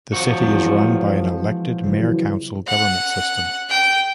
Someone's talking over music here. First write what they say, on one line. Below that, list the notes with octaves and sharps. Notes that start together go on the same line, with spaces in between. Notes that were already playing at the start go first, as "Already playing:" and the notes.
The city is run by an elected mayor-council government system.
F3 F#4
E3 G#3 C4
C#3 E3 F#3
F#5
G5